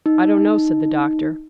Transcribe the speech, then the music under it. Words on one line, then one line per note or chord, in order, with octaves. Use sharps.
"I don't know," said the doctor.
D#4